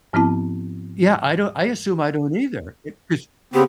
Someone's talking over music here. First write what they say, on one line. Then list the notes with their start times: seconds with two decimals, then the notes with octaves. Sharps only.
Yeah, I don't I assume I don't either. It 'cause
0.13 G#2 F3 B3 C4 E4 A5
3.54 C#3 B3 C4 G4